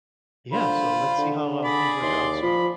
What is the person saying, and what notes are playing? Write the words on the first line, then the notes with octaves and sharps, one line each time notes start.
Yeah, so let's see how our things work out, so
D3 F4 C5 B5
D3
G#4 D5 B5
D#2 C6
F3 B5